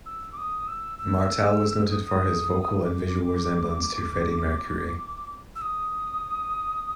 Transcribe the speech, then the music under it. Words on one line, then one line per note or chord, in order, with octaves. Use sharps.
Martel was noted for his vocal and visual resemblance to Freddie Mercury.
E6
D6
D#6
E6
E6
D#6
D6
E6
D#6